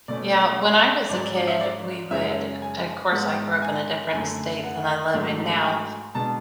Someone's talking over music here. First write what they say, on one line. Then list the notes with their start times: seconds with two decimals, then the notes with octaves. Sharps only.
Yeah. When I was a kid, we would of course, I grew up in a different state than I live in now,
0.08 B2 A3 C#4 D5
1.09 G#2 F#3 C#4 D5
1.23 D5
1.35 D5
1.47 E5
1.61 D5
2.11 F#2 C#3 G#3 C#4 E5
2.62 G#5
3.11 G#2 G#3 B3 F#5
3.62 G#5
4.12 F#2 D3 A3 G#5
4.63 F#5
5.13 G#2 F#3 A3 D4
5.65 G#5
6.15 B2 G#3 D4 A5